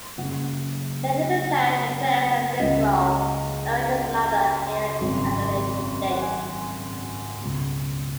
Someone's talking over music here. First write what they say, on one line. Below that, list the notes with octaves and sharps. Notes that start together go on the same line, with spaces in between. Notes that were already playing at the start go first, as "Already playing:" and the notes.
Later the Judge declares a mistrial and arranges another hearing at a later date.
F#1 F#2 C#3 F#5
C#2 C#3 D#5
F5
F5
F#5
G#1 F#2 C#3
F#5
G#5
C#2 B2